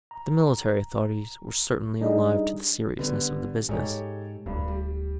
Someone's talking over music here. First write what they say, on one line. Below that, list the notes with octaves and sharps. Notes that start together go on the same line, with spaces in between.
The military authorities were certainly alive to the seriousness of the business.
A#5
G3 D4 D#4 G#4 D#5
D3 G3 B3
G#2 G4 A4 C#5
D1 G2
G3